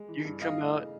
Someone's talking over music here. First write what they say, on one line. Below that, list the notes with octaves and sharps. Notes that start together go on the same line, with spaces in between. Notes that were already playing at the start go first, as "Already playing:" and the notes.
“you can come out"
Already playing: G#3
E3
G2
E3 D#5 F5
A3
C#3